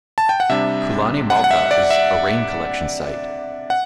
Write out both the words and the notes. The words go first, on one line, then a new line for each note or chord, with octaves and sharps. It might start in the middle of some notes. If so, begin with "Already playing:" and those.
Kulani Mauka is a rain collection site.
A5
G5
F#5
C3 G3 D4 E5
F#5
F#5
E5
D5
E5
F#5